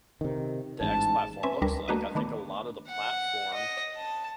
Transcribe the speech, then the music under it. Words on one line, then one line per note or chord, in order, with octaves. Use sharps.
the X platform looks like. I think a lot of the platform
C3 D#3
A1 G#2 A5
C4 C#4 B4 E5 G#5
D2 G3 D4 A#4 B4
A3 A#3 D4 F#4 B4 D#5
D#3 A3 B3 D4
F#5
D#5
A5